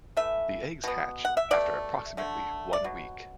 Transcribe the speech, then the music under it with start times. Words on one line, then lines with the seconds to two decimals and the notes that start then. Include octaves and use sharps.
The eggs hatch after approximately one week.
0.17 E3 A3 E5
0.84 B2 B3
1.25 F#5
1.37 E5
1.51 B2 A3 D5
2.17 D3 A3
2.73 D5
2.84 B2 F#3